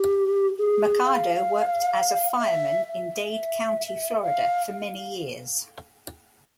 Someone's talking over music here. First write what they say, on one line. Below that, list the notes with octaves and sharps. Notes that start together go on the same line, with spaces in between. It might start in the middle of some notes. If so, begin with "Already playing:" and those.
Mercado worked as a fireman in Dade County, Florida, for many years.
Already playing: G4
G#4
F5
E5
E5
F5